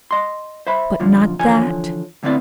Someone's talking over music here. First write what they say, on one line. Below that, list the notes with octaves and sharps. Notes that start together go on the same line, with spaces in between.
"But not that?"
D#5 C6
C5 E5 B5
F#2 A#2 D3 F3
D3 E3 F3 C#5 G#5
A2 D3 B3 C4 E4 D5